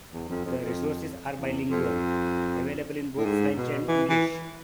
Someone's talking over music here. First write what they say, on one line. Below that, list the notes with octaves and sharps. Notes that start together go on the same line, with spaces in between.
The resources are bilingual; available in both French and English.
E2
F2
F2
F2
E2
F2
A2
G#2
B2
E3
E3